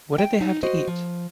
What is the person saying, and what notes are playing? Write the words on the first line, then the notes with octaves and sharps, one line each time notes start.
What did they have to eat?
G5
D#4
F#4 C5 D#5
F3